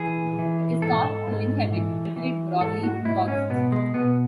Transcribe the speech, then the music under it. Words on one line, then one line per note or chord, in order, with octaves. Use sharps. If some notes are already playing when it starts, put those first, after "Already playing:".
It is thought to inhabit temperate broadleaf forests.
Already playing: E3 G#4
E3
G#2 A4
G#2
E3
E3
G#2 A4
F#4
G#2 E4
C#4
B2 B3
G#3
B2 B3